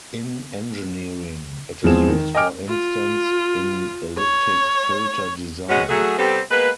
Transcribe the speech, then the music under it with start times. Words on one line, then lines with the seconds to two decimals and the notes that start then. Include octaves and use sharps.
In engineering, it is used for instance in elliptic filter design.
1.84 E2 E3 F3 G#3 C4 E7
2.08 D#3
2.35 D#5 G5 G#5 D6 F6 D7
2.69 F4
4.17 C#5
5.69 G#3 B3 C#4 F#4
5.88 F#3 A3 G#4
6.18 C3 G3 B3 C4 G4 A4
6.50 G#3 A#3 B3 B4